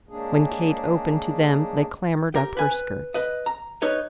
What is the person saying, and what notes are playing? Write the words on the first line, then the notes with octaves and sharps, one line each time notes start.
When Kate opened to them, they clambered up her skirts.
G#3 A#3 C#4 D4 G#4
G4 A#4
B4 G#5
B4
B4 D#5
A#5
D#4 B4 C#5 D#5